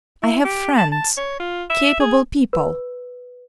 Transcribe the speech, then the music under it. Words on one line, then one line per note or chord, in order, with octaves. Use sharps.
I have friends... capable people....
E4
G4
A5
A5
C#5
F4
E5
G#4
B4